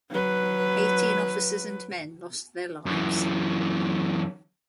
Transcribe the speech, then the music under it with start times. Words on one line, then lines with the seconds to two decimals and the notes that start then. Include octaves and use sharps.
Eighteen officers and men lost their lives.
0.11 F#3 B4
2.86 F#2 E3